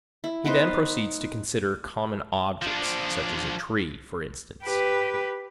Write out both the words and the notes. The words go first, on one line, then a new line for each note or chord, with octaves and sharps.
He then proceeds to consider common objects, such as a tree, for instance.
E4
B3 D#4 B4 C5
F5
F3 D4
G4 B4